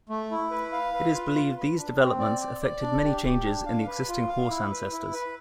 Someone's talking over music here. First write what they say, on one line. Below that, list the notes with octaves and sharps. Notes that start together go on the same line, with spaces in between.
It is believed these developments affected many changes in the existing horse ancestors.
A3
E4
B4
F5
B4
F4
F4
B4
D4
C4
D5
D5
D5
D4
G4
G4
D4
F5
B4
F4
F5
E4
B4
E4
B4